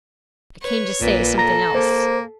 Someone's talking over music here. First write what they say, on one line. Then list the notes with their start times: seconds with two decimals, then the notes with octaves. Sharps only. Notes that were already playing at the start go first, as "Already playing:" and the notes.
'I came to say something else.'
0.62 B4 C#5
1.01 A#1 A#2 B4
1.38 A4 A#5 A#6
1.75 A#3 C5